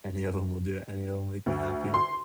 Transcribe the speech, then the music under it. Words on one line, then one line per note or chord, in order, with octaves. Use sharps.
Any of them will do it, any of them make me happy.
D2
C6